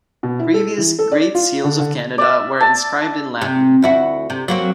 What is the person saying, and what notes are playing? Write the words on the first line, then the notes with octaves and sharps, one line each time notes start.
Previous Great Seals of Canada were inscribed in Latin.
B2
E4
A4
E3
A4
D5
F4
D3
D3
D5 E5
A5
C3
D2 E4 F#4
C3
F#3 A#3 C4